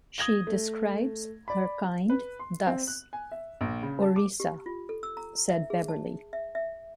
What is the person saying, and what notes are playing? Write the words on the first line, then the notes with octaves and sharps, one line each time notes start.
She describes her kind thus: "Orisa," said Beverley.
D#6 G#6 A#6 G7
A3
D5 B5
B4
C6
C4
F#6
G#5
E5
A#1
C#3
A5
D6
G4
F4
A4
E6
A#5
E5
G#4
A5
E5
E5